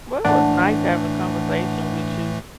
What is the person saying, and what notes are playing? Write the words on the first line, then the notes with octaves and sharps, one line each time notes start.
Well, it was nice having a conversation with you.
A2 E3 A3 D4 F#5 A5